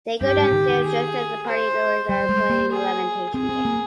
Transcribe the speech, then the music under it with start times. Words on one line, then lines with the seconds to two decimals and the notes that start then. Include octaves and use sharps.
They go downstairs just as the party-goers are playing a levitation game.
0.21 G2 G4
0.38 G#2
0.53 D#3
0.69 D#3
0.84 G#4
1.47 C5
2.08 G3 C5
2.29 G#3
2.50 A#3
2.71 G#4
3.34 C4 G#4
3.49 C4
3.65 A#3